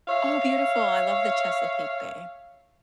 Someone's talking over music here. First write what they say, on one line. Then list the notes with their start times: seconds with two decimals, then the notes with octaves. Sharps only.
Oh, beautiful. I love the Chesapeake Bay.
0.08 C#5 E5 F5